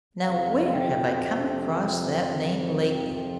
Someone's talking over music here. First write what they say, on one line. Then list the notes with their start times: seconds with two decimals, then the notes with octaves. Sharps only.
Now where have I come across that name lately?
0.24 F2 C3 F3 F5
0.67 G5
1.11 G5
2.88 G5